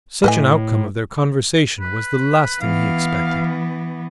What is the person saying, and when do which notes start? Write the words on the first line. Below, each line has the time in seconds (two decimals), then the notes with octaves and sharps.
Such an outcome of their conversation was the last thing he expected.
0.24 A2 B4 D#5 G#5
1.80 B4
2.61 E3 B3 F5